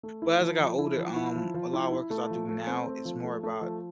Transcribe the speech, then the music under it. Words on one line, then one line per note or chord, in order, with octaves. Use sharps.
But as I got older, um, a lot of workouts I do now, it's more about
A3
E4
F3
F3
E4
F3
E4
F3
F3
E4
E4
A3
F3
A3
C4
A3
F3
A3
A3
F3